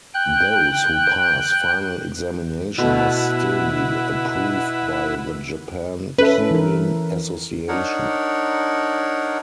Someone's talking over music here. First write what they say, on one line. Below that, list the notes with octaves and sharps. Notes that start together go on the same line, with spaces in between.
Those who pass final examination must still be approved by the Japan Keirin Association.
G5 F#6
B2 A3 E4 B4 F#5
C#4 A4 B4 E5
E3 A#4
D4 D#4 A#4 C#5 F#5